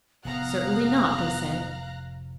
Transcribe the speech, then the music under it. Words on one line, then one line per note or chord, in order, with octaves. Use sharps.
"Certainly not," they said.
F1 A2 F3 B3 F5 A#5 F#6